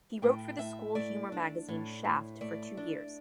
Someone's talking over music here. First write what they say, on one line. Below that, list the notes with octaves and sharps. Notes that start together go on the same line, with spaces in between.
He wrote for the school humor magazine, "Shaft", for two years.
A2 G5
A2 E5
A3 D5
D4
A2
A2
A3 D5
D4